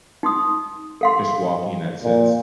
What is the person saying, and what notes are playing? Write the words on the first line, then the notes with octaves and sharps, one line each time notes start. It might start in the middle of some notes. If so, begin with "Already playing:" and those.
just walking in that sense
D#4 C6 D#6
A4 F5 C6
A#2